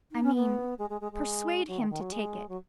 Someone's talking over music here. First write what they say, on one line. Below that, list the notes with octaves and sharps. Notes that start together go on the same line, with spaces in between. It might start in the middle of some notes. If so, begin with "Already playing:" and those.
I mean, persuade him to take it....
D#4
C#4
B3
G#3
G#3
G#3
G#3
F#3
D#3
D#3
F#3
G#3
F#3